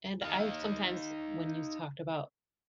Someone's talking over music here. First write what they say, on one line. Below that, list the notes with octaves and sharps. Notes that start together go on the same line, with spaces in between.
and I sometimes when you talked about,
D#4 F5